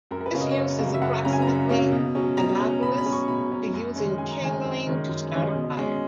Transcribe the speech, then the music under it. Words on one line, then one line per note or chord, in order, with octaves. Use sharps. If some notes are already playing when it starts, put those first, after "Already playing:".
This use is approximately analogous to using kindling to start a fire.
F#2 A#4
A#4
B4
C#3 F#3 A#3 C#4
D#5
C#5
F#2 D#5
C#3 F#3 A#3 C#4
E5
F#2 F#5
C#3 F#3 A#3 C#4 A#5
G#5
A#5
F#2
C#3 F#3 A#3 C#4
B2
F#3 C#4
B2 A#5
F#3 C#4
B2 B5
B5
F#3 C#4
C#6
B2 B5
F#3 C#4
F#2
D#3 G#3 C#4
F#2 G#5
A#5
D#3 G#3 C#4 G#5
F#2
D#3 G#3 C#4
F#2
D#3 G#3 C#4
B2
G#3 C#4